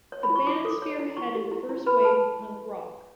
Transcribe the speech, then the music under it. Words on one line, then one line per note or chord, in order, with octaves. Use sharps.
The band spearheaded the first wave of punk rock.
C#5
B5
E4
C#6
E4 D6
A4
D6
C#5
E4
E4 C#6
G4
E4
E4
B4 B5
B4 A5